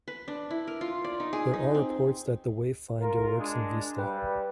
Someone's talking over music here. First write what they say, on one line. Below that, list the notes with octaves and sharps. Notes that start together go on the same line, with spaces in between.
There are reports that the Wavefinder works in Vista.
B4
D4
E4
A#4
F4
D5
D#4
G#4
D#4
C4
F4 A#4
G#3 D4
G2 G3 B4 G5